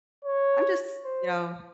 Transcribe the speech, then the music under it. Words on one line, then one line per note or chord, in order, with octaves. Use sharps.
I'm just, you know,
C#5
C5